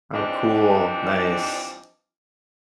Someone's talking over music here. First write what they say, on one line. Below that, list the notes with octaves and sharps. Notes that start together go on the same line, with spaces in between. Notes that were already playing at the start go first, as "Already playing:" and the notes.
Oh, cool. Nice.
E3 F3 G3 C4 D4 D#4